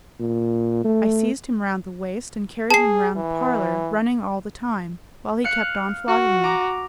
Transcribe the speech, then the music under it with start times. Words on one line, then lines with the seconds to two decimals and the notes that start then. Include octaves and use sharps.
I seized him round the waist and carried him round the parlour, running all the time, while he kept on flogging me.
0.20 A#2
0.85 A3
2.70 G#4 A5 C7
3.17 E3
5.44 F5 F#6 C#7
6.08 F#4
6.43 A#5 D6